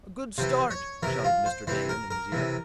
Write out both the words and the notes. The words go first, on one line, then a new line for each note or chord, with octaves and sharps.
"A good start!" shouted Mr. Damon in his ear.
C3 E3 C5
C#5
C3 E3 A#4
F4
C5
C3 E3 C5
A#4
A#4
C3 E3